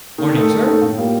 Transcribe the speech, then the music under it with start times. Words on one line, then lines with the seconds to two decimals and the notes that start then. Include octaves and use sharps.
'Morning, sir!
0.18 D#3
0.35 A3 D#4 A4
0.50 D#3
0.65 A3 D#4 A4
0.81 A2
0.97 G3 A#3 F4